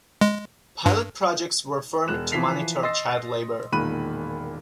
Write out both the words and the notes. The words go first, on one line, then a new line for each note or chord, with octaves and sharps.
Pilot projects were formed to monitor child labor.
G#3
G2
E1 F#6 E7
E3 F3 B6 C7 F7
D#5 C6 E6 A6 C7
E1 A#2 D#3 B5 F#6 D#7